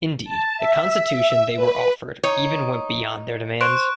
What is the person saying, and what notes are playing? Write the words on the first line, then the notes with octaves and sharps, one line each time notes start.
Indeed, the constitution they were offered even went beyond their demands.
A5
E5
B4
D#4 C#5
C5 C#6 F#6 D7